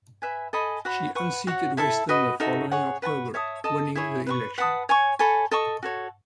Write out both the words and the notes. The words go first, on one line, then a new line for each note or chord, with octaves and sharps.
She unseated Weston the following October, winning the election.
B4 E5 G#5
A4 D#5 G#5 B5
F#4 C#5 F#5 B5
B4 F#5 C#6
F#4 C#5 F#5
E4 A4 E5 A5
F#4 B4 D#5
D#4 F#4 A4 E5
G#4 C#5 F#5
B4 F#5 A5 C#6
C#5 E5 A5 D#6
A4 D#5 A5 D#6
E4 G#4 C#5 E5
B4 F#5 C#6
B4 F#5 A5 D#6
C#5 G#5 C#6
A4 C#5 G#5 B5
A4 D#5 A5 C#6
F#4 A4 C#5